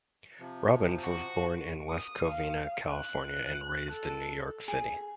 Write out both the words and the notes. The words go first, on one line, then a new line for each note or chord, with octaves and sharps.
Robbins was born in West Covina, California, and raised in New York City.
C3 F3
F#4
D#6
F5
F#6
A4
G#4